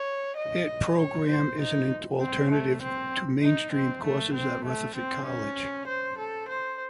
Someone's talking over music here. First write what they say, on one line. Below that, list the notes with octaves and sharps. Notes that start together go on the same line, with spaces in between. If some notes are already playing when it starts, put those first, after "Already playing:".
It program is an alternative to mainstream courses at Rutherford College.
Already playing: C#5
D#5
C#5
C5
D#4
C4
A3
C4
D#4
C4
A3
C4
A3
C4
C#4
C5
A4
C5